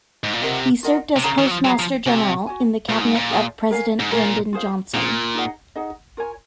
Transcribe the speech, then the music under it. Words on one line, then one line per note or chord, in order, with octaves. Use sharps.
He served as Postmaster General in the cabinet of President Lyndon Johnson.
G#2
A#2
C3 F4 A#4 D#5 F#5
F4 A#4 D#5 F#5
C3
C#3 G#4 C#5 F5 A#5
D#3
F#3
F3
F#3 G#4 C#5 F5 A#5
F3
C3 F#4 C#5 G#5
F#4 C#5 G#5
A#2 F4 G#4 C5 F5
G#2
A#2
F4 G#4 C5 F5
A#4 C#5 F5 G#5
G#2
A#2 A#4 C#5 F5 G#5
F4 G#4 C5 F5
A#2 F4 G#4 C5 F5
D#4 G#4 D#5 F#5
D#4 G#4 D#5 F#5
F4 A#4 C#5 G#5